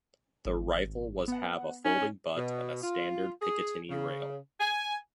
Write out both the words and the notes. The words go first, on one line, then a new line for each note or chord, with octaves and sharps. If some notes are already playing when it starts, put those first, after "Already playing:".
The rifle was have a folding butt and a standard Picatinny rail.
G#1
B3 F#5
C#4 D#4
B2
F4
G#4
C#3
G#5